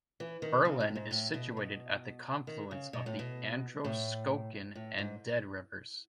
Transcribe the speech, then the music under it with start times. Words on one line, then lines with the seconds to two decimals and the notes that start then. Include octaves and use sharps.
Berlin is situated at the confluence of the Androscoggin and Dead rivers.
0.20 E3
0.42 D#3
0.65 C#3
0.80 A2
0.95 G#2
1.11 A2
1.34 B2
1.57 B2
2.47 D#3
2.71 C#3
2.93 B2
3.06 A2
3.19 B2
3.84 A2
4.75 A2
4.98 G#2